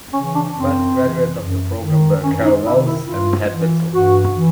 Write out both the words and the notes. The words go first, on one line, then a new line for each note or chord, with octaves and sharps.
The first graduates of the program were Ker Wells and Ted Witzel.
C#3 E3 C#4
D4
F#2 C4
C#3 E3
F#2
D#3
F#2 C#4
D#4
D#3 E4
E4
G2 F4
E3
G2 F#4
E3